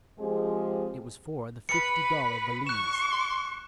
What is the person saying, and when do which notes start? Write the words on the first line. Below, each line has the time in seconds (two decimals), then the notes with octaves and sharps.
It was for the fifty-dollar valise.
0.19 F3 G#3 C4 G4 G#4
1.69 B4 C#7
2.67 C#6 F#6 E7